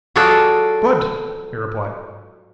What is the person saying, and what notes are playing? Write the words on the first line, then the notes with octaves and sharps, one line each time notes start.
"Good!" he replied.
F#3 F4 F#4 G#4 A4 D5